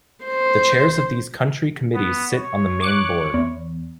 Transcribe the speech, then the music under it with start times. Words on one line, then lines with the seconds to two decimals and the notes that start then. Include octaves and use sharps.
The chairs of these country committees sit on the main Board.
0.25 C5
1.95 B3
2.32 C#5
2.81 C#6 D6 F#6
3.34 E2